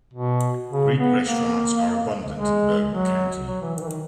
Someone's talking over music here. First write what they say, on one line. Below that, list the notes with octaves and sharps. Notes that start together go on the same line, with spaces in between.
Greek restaurants are abundant in Bergen County.
B2
C#3
B3
A#3
G#3
F#3
F#3
E3
D#3
E3
D#3